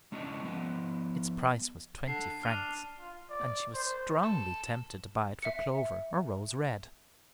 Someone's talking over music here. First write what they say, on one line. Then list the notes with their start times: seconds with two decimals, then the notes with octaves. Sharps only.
Its price was twenty francs, and she was strongly tempted to buy it for Clover or Rose Red.
0.12 G#3 C#4 D4 E4 D#5
0.43 F3 B3 D#5
2.07 D3 C7
2.43 D4 F6 D#7 F7
3.00 F4
3.30 D5
3.74 C5
4.24 A4
5.42 E5 C#7